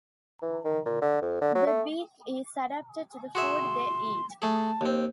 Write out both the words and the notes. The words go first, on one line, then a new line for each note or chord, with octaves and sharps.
The beak is adapted to the food they eat.
E3
D#3
A#2
D3
F2
D3
F#3
A3
F#4 G#4 E5 C6
A3 G#4 A5
D#2 C4